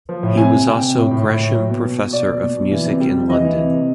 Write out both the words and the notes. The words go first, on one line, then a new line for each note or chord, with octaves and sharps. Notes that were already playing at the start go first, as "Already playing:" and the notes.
He was also Gresham Professor of Music in London.
F3
A2
C3 G#5
C3
C3 G5
C3
A2
A2
A2
A2
F#3
B2
B2
B2
B2 D5
B2
B2
B2
E3
C3
G3
C3
E3 D#5
E3
C3
C3